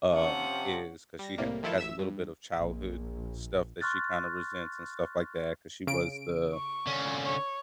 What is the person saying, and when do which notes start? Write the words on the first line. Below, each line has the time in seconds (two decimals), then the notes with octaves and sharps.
um, is 'cause she ha has a little bit of childhood stuff that she kinda resents and stuff like that 'cause she was the
0.11 C3 F3 C#4 F#5
1.19 G3 A#6
1.38 C2 A2 C3 G3 A#3
1.63 D#3 F3 A3 E4 F4 A4
1.78 A1 E5 E6 E7
1.99 G2
2.58 A#1
3.81 C6 C#6 F6 F#6 A6
5.87 C#3 D7
6.54 C#6
6.87 D3 C#4
7.24 C#5